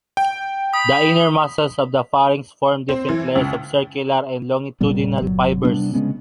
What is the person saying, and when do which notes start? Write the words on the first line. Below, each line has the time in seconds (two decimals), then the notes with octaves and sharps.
The inner muscles of the pharynx form different layers of circular and longitudinal fibers.
0.17 G5
0.74 B5 D#6
2.89 C4
3.09 E3
3.36 C#2
4.81 F1 A#2 G3 B3
5.22 G1 F#3
5.63 C3 G3 B3 D4
5.94 C#3 G#3 B3 C#4